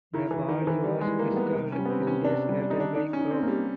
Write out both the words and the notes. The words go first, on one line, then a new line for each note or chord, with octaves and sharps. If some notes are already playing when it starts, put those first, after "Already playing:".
The body was discovered three days later by Krohg.
D#3 E4
E3
E4
D#3
C4
E3
G3 E4
G#3
E4
A#3
G3
B3
C3
C#4
G3
B3
C4
C3
C#4
C3 D4
G3
D4
D#3 D#4
D4
D4 D#4
C#4
D#4
C4
A#3
G3